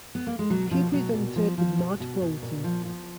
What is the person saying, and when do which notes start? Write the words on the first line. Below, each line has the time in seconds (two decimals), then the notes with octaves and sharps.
He presented with Matt Broughton.
0.15 B3
0.27 A#3
0.39 G#3
0.50 B2 F#3
0.71 B2 F3
0.93 B2 F#3
1.14 A#2
1.36 F3
1.58 F3
1.79 B2
2.00 B2
2.21 B2
2.42 A#2
2.64 F3
2.85 F3